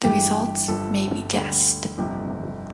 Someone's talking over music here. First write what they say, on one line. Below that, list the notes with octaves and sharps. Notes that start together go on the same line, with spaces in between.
The results may be guessed.
G1 G2 E3 G4
G1 G2 F3 A4
D2 D3 G3
G1 F2 C3